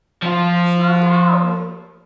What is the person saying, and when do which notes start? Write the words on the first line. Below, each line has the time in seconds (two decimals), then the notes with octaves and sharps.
Slow down!
0.22 F3 F4